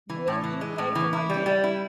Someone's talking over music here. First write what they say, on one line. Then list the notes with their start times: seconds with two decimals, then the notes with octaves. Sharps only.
"Will you pay for my dinner?"
0.09 E3
0.28 A2
0.44 E3
0.61 G#3
0.78 A2
0.95 E3
1.13 E4
1.30 G3
1.46 G3
1.64 E4